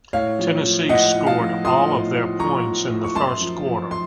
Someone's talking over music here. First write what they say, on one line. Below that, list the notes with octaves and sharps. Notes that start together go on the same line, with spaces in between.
Tennessee scored all of their points in the first quarter.
A2 C#5 F5
F3
F3
A2 D#5 F#5
A2
F5 A5
F3
F3 C6 D#6
A2
A2
F3 A#5 C#6
F3
A2
C#6
F#2 A5 C6
F3
F3
C6